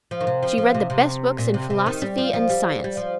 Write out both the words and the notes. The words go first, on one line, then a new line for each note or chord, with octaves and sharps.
She read the best books in philosophy and science.
F3
D#3
C3
F3
F3
C3
C3
A#2
C3
C3
D#3
G3
F3
F3
G3
G3
F3